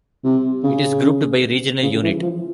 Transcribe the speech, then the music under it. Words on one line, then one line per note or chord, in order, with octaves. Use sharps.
It is grouped by regional unit.
C3
C#3
C#3
E3
F3